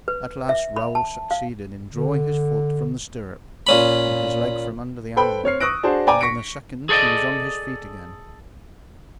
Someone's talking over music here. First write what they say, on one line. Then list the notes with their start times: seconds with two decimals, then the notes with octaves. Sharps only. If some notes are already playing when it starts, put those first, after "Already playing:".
At last Raoul succeeded in drawing his foot from the stirrup and his leg from under the animal, and in a second he was on his feet again.
0.08 B4
0.49 E5
0.76 B5
0.95 A5
1.31 F5
1.93 D3
3.67 A#2 C#4 B5
5.16 A4 B4 C5 G5 B5
5.44 C4 C#5 F6 C7
5.60 C#6 D#6 E6 F#6 A#6 D7
5.83 D4 F#4 G#4 C5 A5
6.07 D5 G5 G#5 A#5 D6
6.21 C#6 A#6 B6 C#7 D7
6.89 G#4 A4 C5 D5 D#5